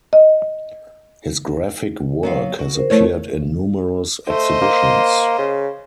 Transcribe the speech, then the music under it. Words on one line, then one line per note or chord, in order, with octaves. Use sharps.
His graphic work has appeared in numerous exhibitions.
D#5
F#3 B3 F5
F#4
A#4 C5
F3 A3 E4 A#4 C#5
A3 C5 D#5
A#3
C#3